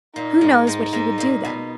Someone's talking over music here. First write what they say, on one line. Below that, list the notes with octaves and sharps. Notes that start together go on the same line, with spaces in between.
Who knows what he would do then!
A#2 D#4
G#2
G#2
G#2
A#2
B2